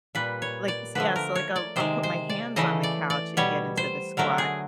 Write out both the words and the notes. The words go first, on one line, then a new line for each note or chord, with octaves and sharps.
like, s yeah, so like I'll I'll put my hands on the couch and get into the squat,
A#2 G3 B4
C#5
D5
D3 F3 A3 B4
A#4
C#5
D5
C3 D#3 G#3 C5
C5
D5
C#3 E3 A3 D#5
D5
D5
B2 G3 C#5
C5
D3 F#3 A3 A#4
G#4